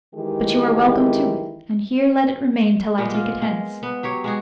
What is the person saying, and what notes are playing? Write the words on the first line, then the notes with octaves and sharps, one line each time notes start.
But you are welcome to it; and here let it remain till I take it hence.
D#3 E3 G#3 E4 G4
A#2 G#3 A#3 B3
F4
G#3
B3
F#3 G4 C#5
G#3 F#4 G#4